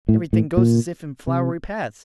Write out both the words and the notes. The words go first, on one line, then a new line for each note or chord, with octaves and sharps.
"Everything goes as if in flowery paths."
A2
A2
A#2
C3